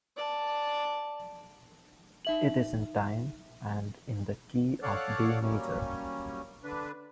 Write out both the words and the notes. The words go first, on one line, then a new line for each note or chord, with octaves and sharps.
It is in time and in the key of D major.
D5 A5
D#4 E5 F#7
A4 C#5 D5 F5 F#5 F#6
F#3 G3 A#3 C#4
D3 D4 B4